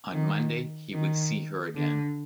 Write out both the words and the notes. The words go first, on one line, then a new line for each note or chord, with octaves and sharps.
On Monday he would see her again.
D#3
D#3
D3